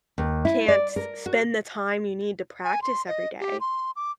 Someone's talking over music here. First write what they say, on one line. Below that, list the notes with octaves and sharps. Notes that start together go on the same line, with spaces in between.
can't spend the time you need to practice every day
D#2
E4
D5
A#4
F#4
G#5
C6
D#5
G4
C6
D6